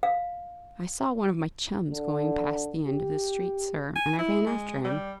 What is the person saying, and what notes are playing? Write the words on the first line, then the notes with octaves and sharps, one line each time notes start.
I saw one of my chums going past the end of the street, sir, and I ran after him.
F5
D3
G4
G#5
E4
G#3
G3